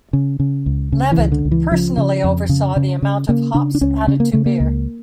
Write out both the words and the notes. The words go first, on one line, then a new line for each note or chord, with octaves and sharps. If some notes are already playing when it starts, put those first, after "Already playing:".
Levett personally oversaw the amount of hops added to beer.
C#3
C#3
C#2
C#3
E3
C#2
D3
C#2
E3
C#3 F3
C#3
F2
C#3
C#3
C#3
C#3 A#3
C#3 D4
D4
C#2 C#4
C#3 C#4
A#3
C#3 A3
A#3
C#2